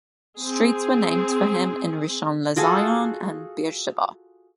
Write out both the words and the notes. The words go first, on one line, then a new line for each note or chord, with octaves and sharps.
Streets were named for him in Rishon LeZion and Beersheba.
C4 G#4
F4 F#4 G#4 A4